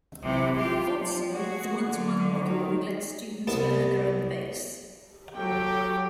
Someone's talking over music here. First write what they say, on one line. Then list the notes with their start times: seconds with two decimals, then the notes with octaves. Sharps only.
Also, the one-to-one model would let students learn at their own pace.
0.23 C3 E3
0.59 F4 G4
0.98 F3
1.33 F#4 G#4
1.85 D3 F#3
2.44 D#3
3.47 C2 B3 A5
5.35 F#3 G4 A4 G5